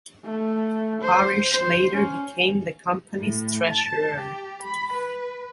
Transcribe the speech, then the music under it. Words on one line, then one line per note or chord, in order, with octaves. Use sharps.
Parrish later became the company's treasurer.
A3
C5
C5
C#4
A2
A5
G4
B5
B4